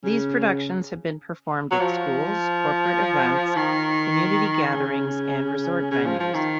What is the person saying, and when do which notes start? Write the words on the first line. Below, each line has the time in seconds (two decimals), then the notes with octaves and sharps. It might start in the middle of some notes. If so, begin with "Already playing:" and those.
These productions have been performed at schools, corporate events, community gatherings, and resort venues.
0.04 C#3
1.71 F#3
1.80 F3
3.56 D#3
4.73 C#3
5.91 C#3
6.06 F3
6.20 F3
6.35 D#3